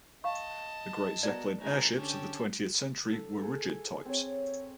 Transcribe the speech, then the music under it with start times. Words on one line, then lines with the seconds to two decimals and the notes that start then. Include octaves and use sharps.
The great Zeppelin airships of the twentieth century were rigid types.
0.24 D#5 F5 A5 C#6
1.23 B3 F#4 A#4 D5
1.59 G#1 A3 G#5 A#5
1.96 D3 C#4 G4 A4
3.12 A4
3.38 G#4 A4
4.05 C4 C#5